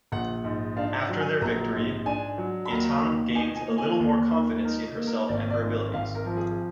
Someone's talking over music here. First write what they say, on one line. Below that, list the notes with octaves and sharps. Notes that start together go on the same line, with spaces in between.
After their victory, Etain gains a little more confidence in herself and her abilities.
A#1 F#5
G#2
D4 F5
F#5
F#3
G#5
A#1 A#5
G#2
D4 G#5
F#3
B5
D#2 A#5
D#3
D#4 G#5
G#5
A#3
G#5
D#2
D#3
D#4 A#4
A#3
A#4
G#1 D5
D5
G#2
G#1 F5
A#4
F3
G#4